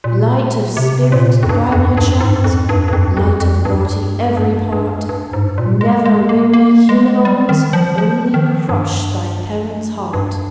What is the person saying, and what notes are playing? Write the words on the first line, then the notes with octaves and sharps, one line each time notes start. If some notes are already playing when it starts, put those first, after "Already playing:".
"Light of spirit, by my charms, Light of body, every part, Never weary human arms-- Only crush thy parents' heart!"
A#2
C3
A#2
F2
G2
F2
G2
G#2
F2
G2
G2
F2
F2
F2
G2
G2
G2
G2
G#2
A#2
G#3
G#3
A#3
A#3
G#3
G3
D#3
F3
F3
D#3
G2
G2